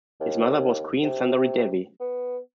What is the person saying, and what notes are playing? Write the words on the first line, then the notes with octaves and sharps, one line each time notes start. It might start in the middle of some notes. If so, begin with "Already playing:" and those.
His mother was queen Sundari-Devi.
D#2
C3
B3